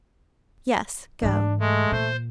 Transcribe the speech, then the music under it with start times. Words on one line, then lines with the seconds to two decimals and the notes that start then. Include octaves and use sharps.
"Yes, go."
1.22 G#2 E3 D4
1.60 G#3 A3
1.92 A#2 C5